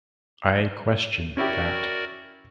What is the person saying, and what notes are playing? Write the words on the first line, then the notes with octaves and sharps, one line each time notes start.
I question that.
C#4 E4 F#4 G4 A#4 D5